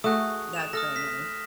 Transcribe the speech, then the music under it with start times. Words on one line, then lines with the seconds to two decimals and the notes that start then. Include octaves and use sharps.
That's very nice,
0.04 A3 F#4 G#4 D#6 F#6
0.53 E7 F7
0.73 A4 D#6 F6 A#6
0.96 B6